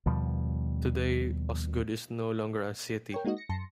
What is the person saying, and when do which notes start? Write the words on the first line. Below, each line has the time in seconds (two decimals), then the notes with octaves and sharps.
Today, Osgood is no longer a city.
0.06 D#2 B2 F3 G3
3.12 A#4 C#5 G5
3.25 G#3 A#3 D#4 F#4 D#5
3.37 A#6 C#7
3.49 F#2 A5 C6 A#6 C#7